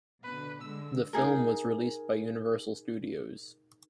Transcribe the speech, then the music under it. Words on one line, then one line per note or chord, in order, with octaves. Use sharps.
The film was released by Universal Studios.
B2 D3 B4
D3 G#3 E6
D#4 G#4 A#4